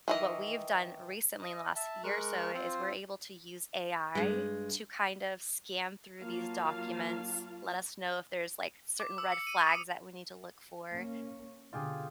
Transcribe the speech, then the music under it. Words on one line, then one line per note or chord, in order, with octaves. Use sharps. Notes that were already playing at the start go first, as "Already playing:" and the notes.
what we've done recently in the last year or so is we're able to use AI to kind of scan through these documents, let us know if there's, like, certain red flags that we need to look for
D#3 E3 D#5
D#5
E5 A5
G#3 A#4 C#6 F#6
C4 F4 C5
G2 G#3
F#3 A#3 F4 F5 A5
D6
E6
C#7
D#7
D#6
A#3 C#4
B2 D3 F4 G4 G#4